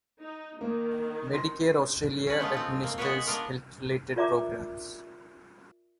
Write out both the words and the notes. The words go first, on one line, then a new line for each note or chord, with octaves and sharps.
Medicare Australia administers health-related programs.
D#4
D#3 A#3
C6 A#6
C#4 B4
G#3 A3 B3 F4
C4 F4
A#3
G#3 B3 F#4 A#4 B4 C#5
B3 D4 F4 A#4
F4 A#4 D5 E5 A#5 D6